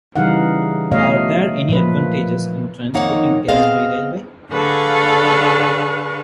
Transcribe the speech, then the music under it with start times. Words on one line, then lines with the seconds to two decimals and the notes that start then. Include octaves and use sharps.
Are there any advantages in transporting gas by railway?
0.16 C#3 E3 G3 D#4 F5 F#5
0.91 B2 A3 C#5 D#5 F5
1.69 A#2 F3 B4
2.94 F2 D#3 A#3 D#4 C#5 F#5
3.48 B3 C4 G#4 C5 D#5 F5
4.51 D3 G#4 A4 B4 F5 C#6